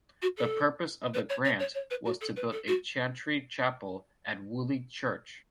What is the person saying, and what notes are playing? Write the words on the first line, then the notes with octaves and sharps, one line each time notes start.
The purpose of the grant was to build a chantry chapel at Woolley Church.
F#4
A4
B4
C#5
C#5
C#5
C#5
B4
F#4
A4
B4
A4
F#4